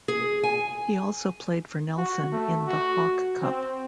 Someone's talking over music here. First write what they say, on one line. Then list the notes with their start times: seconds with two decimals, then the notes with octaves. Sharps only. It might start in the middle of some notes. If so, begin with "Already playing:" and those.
He also played for Nelson in the Hawke Cup.
0.08 G#4
0.44 G#5
1.98 F#4
2.32 A3
2.67 F#4
3.42 C4